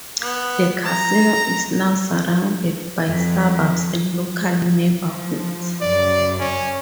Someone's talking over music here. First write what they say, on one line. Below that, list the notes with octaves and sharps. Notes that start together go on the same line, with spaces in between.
The casino is now surrounded by suburbs and local neighbourhoods.
B3
A#5
F2
F3
F#2 C#3 D5
C#4